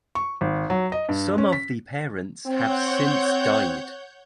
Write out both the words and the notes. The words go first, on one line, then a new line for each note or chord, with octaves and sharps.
Some of the parents have since died.
C#6
G#1
F#3
D#5
G2
C#4
B6
C4 C#5 F#5 G6